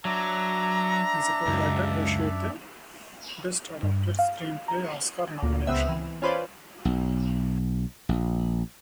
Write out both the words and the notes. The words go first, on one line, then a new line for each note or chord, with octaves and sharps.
As a co-writer, he shared a "Best Adapted Screenplay" Oscar nomination.
F#3 D4 D5 E5 A#5
C#2 F#2
G2
F5
A#5
D2 A#2
C#2 B3 C4 E5
E3
C#4 F4 B4 C5 D5
B1
A#1